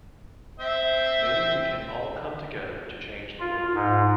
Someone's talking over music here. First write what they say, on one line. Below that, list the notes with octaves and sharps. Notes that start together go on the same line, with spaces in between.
Maybe we can all come together to change the world.
C4 C5 E5
F4
G#2